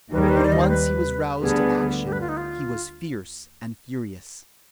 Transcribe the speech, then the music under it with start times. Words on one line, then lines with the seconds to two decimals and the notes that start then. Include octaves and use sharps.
When once he was roused to action, he was fierce and furious.
0.12 D#2 D#3 G3 B4
0.21 G#4
0.29 B4
0.37 C5
0.45 D5
0.52 D#5
0.61 C5
0.69 B4
1.41 D2 D3 G3 B3 G#4
2.05 G4
2.12 B4
2.21 F4
2.29 D#4
2.37 F4